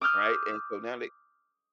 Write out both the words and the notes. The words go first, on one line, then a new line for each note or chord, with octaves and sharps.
right, and so now they
D6 D#6 F6 G6